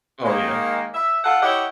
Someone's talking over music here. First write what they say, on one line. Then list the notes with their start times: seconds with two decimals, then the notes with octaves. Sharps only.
Oh, yeah.
0.24 D#3 G#3 A#3
0.94 E5
1.24 F4 A4 F#5
1.43 E4 G4 C#5 D#5 F#5